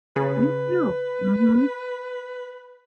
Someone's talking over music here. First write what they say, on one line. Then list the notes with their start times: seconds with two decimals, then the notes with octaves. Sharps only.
Me too. Mhm.
0.16 C#3 B4